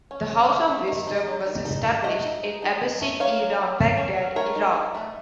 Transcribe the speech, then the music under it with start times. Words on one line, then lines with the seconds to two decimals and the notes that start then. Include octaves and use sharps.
The House of Wisdom was established in Abbasid-era Baghdad, Iraq.
0.11 C#4
0.30 C#4
0.50 A3
0.68 A3
0.87 D#3
1.07 D#4
1.27 F#3
1.46 D#3
1.65 D#4
1.85 A#3
2.04 A3 D#5 F#5
2.23 D#4
2.43 D#4
2.62 D#4
2.81 D#4
3.01 A3
3.20 A#3 C#5 F5
3.39 F#3
3.59 F#3
3.78 F#3
3.97 C#4
4.17 C#4
4.36 A3 A#4 C#5
4.55 D#4
4.75 D#4
4.95 A3